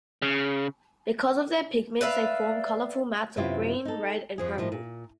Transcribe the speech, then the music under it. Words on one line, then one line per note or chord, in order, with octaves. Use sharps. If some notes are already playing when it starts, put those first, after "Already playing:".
Because of their pigments, they form colorful mats of green, red and purple.
C#3
B4 D5 E5 F5
F#2 C3 B3 E4 F4 G4
D#4 A4
F2 F3 G#4
A2 D#3 F3 G3
A#2